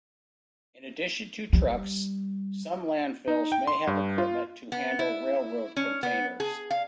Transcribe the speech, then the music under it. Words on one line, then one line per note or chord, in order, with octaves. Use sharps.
In addition to trucks, some landfills may have equipment to handle railroad containers.
G3
D#4
G5
C6
G2
F4
B3
E4
C#4
B3
G#4
F5